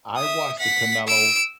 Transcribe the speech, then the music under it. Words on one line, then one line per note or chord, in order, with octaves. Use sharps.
I watched the Canelo
E5 D#6
F#5 B6
E6 D7